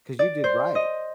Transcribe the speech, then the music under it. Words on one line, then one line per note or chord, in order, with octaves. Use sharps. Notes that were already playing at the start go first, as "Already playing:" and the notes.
'Cause you did right.
D5
C5
D#5